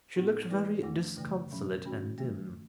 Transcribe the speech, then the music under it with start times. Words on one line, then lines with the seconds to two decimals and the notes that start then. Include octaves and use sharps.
She looked very disconsolate and dim.
0.16 A2 G#3 B3 D#4 G#4
0.49 E3 A3 E4 B4
0.83 E2 D#3 A3 E4
1.17 F#2 C#3 E3 A3
1.51 B2 F#3 C#4
1.85 D#3 A3 C#4 F#4
2.18 D#3 F#3 A3